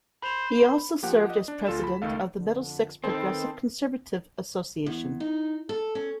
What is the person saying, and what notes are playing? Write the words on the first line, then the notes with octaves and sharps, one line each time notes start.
He also served as president of the Middlesex Progressive Conservative Association.
C5 B5 F7
F3 A#3 G4 F#5
D#5
D4
D2 F4 A4 E7
B5
C#2 D#3 A3 A4 F5
F2 D3
D#3 C4 D#4 A4 B4 C5
E2
D#4
A4
C#4